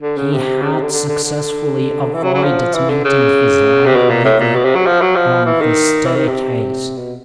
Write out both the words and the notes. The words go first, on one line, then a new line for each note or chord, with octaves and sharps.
He had successfully avoided meeting his landlady on the staircase.
D3
C#3
C3
C#3
C3
D3
D3
D3
D3
E3
F#3
F#3
F3
E3
D3
C#3
C3
B2
A#2
A2
A#2
B2
C3
F#3
F3
F#3
F3
E3
D#3
E3
D#3
C3
B2